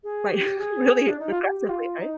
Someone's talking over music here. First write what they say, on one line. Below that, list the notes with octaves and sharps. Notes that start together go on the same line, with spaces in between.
right, really aggressively, right?
G#4
G4
G#4
D4
D#4
F4
G4
G4
F4
D#4